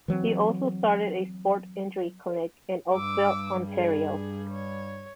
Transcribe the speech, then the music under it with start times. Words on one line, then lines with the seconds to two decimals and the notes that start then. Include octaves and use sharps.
He also started a sport injury clinic in Oakville, Ontario.
0.08 E3 F#3 G#3 C4
2.93 G2 G3 D6 E6
3.69 G#4
4.51 C#5